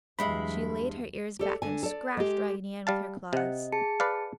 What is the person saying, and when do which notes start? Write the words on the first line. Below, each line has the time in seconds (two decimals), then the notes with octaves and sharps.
She laid her ears back and scratched Raggedy Ann with her claws.
0.19 E2 G2 E3 F#3 G#3 E5 B5
1.39 G4 A4 D5
1.62 D3 G#5
1.83 A4 D5
2.17 G#3 G4
2.87 G3 F5 A5
3.33 C3 D#5 F#5
3.72 G#4 A5 C#7
4.00 B4 D5 F5